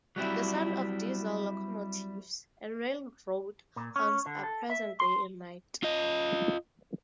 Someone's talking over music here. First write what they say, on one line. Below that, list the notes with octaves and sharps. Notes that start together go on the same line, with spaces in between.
The sound of diesel locomotives and railroad horns are present day and night.
F#3 G3 C4 E4
A#2
C#4
D3
A4
E5
C6
F4 D#5